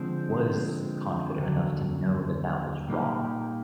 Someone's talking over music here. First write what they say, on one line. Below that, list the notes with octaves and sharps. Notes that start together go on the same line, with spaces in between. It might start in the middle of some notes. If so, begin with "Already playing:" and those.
was confident enough to know that that was wrong,
Already playing: D3 F3 G#3 C4
D#2 D3 F#3
A#2 G3 A#3 D#4 G4